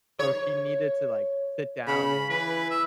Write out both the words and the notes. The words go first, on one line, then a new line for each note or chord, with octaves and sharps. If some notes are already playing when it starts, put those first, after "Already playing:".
so she needed to, like, sit down and
C#5
C#3 B5
E3 B4
E5